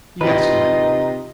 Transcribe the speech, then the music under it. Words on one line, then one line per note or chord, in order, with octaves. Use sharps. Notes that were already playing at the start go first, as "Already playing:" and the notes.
"Yes, my lord."
C3 E3 D#4 F4 G4 B4 D#5